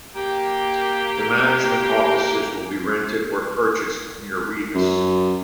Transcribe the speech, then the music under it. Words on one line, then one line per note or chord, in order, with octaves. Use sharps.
The management offices will be rented or purchased near Rivas.
A#3 G4
F#2